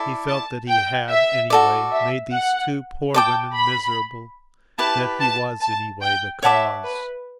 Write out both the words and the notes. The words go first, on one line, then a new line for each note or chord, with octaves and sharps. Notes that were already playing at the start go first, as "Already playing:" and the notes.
He felt that he had, anyway, made these two poor women miserable, that he was, anyway, the cause...
Already playing: E4 A4 D5
A5
G5
E5
F#4 A4 D5
E5
F#5
D5 G5 A5 D6
B5
E4 G4 B4 A5
A5
A5
G5
C#5 E5 F#5 A5 D6
B4